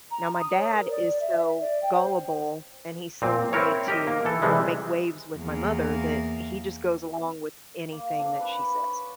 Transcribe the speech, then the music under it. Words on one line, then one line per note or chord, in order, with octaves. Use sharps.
Now, my dad is so gullible and he's so afraid to make waves with my mother that he just goes along with anything that she says.
A#5
D#6
C#5
A#4
D5
E5
D5
G5
C5
A#2 C4
C4 E4 A#4 C#5
G4 A#4 D#5
A#3
E3 A4
C3 E3 G3 G#3
E2 A#3
A#3
C4 D4 F4
B4 F#5 B5
C#5 C#6